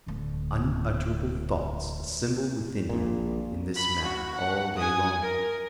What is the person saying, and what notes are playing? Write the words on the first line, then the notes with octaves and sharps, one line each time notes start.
Unutterable thoughts assembled within him in this manner all day long.
D1 D2
A#1 A#2
B5
F#4
F#5
G#5 D#6
A#4